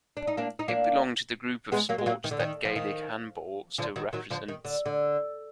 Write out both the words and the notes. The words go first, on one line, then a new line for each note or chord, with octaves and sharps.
It belonged to the group of sports that Gaelic handball still represents.
D4
D#4
A#3 D4
D#4
A#3 D4
G#3 B3
F#3 A#3
G#3
F#3 A#3
D#3
D3
D#3
F3
D#3
D3 F3
D#3 F#3
D#3 F#3
D3 F3
D#3
D3
D3